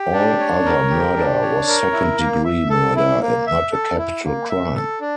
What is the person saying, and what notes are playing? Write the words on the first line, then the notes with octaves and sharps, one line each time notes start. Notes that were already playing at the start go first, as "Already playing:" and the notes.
All other murder was second-degree murder, and not a capital crime.
Already playing: G4
D4
C#5
A#4
G4
D4
C#5
A#4
E4
A#3
E5
A4
E4
A#3
E5
A4
E4
A#3
E5
A4
D4